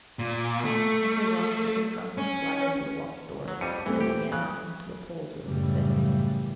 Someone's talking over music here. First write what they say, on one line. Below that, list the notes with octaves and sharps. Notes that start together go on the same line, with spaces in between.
Mitya walked with a drunken swagger to the locked door, and began knocking to the Poles with his fist.
A#2
A3
C#4
F#3
F2 G3 C#7 D#7
D#1 E3 A3 C4
G4
C#3 F#6
F#2 A2 C#3 E3 G3